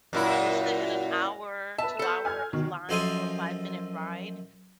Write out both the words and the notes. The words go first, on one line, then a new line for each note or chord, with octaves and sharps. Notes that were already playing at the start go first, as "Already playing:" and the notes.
you'll sit in an hour, two-hour line for a five-minute ride.
F#2 A#2 E4
B4 E5 A5
A4 C5
G#5 F6 G#6
B2 D#3
F#2 F3 A4 C5 D#5 G#5